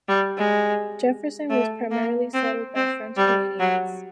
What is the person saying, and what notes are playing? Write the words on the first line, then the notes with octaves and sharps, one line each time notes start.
Jefferson was primarily settled by French-Canadians.
G3
G#3
A3
A#3
C4
C4
G3
F#3